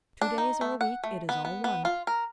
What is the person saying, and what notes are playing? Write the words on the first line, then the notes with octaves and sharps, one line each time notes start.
Two days or a week, it is all one.
D4
D#4
A3
F#5
A3
B3
B3
B3
F4
A#4